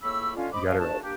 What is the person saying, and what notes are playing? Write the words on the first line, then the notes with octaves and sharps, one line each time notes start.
you got it right,
C#2 A2 A#3 B5 C#6 E6
D3 G#3 C#4 F4
C5 D#5 B5 D6
D2 G2 F3 C#4 C#5 F5
A#2 A3 D4 F#4 G#4 A5
A#3 D4 G4